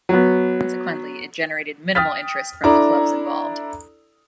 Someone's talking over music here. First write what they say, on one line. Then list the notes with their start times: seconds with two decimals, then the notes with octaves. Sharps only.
Consequently, it generated minimal interest from the clubs involved.
0.09 F#3 B3
1.95 G5 D#6 F6 A6 B6
2.64 D4 E4 A4 D5 A#5